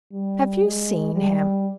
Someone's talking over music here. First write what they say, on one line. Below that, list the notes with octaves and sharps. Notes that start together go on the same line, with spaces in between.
Have you seen him?
G3
G#3
G3